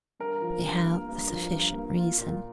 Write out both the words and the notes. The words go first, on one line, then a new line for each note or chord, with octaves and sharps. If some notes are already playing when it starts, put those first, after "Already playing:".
We have the sufficient reason.
G2 A#4
F3
G2
A#3
G2
F3
G2
A#3
F4
A#2